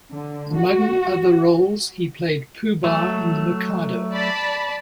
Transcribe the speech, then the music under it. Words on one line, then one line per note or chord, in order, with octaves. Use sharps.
Among other roles, he played Pooh-Bah in "The Mikado".
D3
F#4
F#3 A3
D5 A5 B5